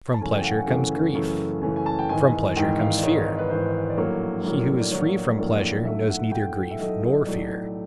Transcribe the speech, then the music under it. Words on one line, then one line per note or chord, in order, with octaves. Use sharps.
From pleasure comes grief, from pleasure comes fear; he who is free from pleasure knows neither grief nor fear.
A5
F#2 C#3 E3 A3 C#4 G#5
G5
F5
F#5
G#5
F#2 C#3 E3 A3 C#4
F#2 C#3 E3 A3 C#4
F#2 C#3 E3 A3 C#4 G#5
G#5
A5
G5
G#1 G#2 E3 G#5
G#1 G#2 E3 G5
F5
D5
G#1 G#2 E3 C#5
B4
G#1 G#2 E3 C5
D5
A#1 A2 F#3 A#3 C#5
A#1 A2 F#3 A#3
D5
A#1 A2 F#3 A#3 C#5
A#1 A2 F#3 A#3 D5
F5
B1 A2 F#3 A3 E5
F#5
B1 A2 F#3 A3 G5
E5
B1 A2 F#3 A3 D#5
D#5
B1 A2 F#3 A3 D5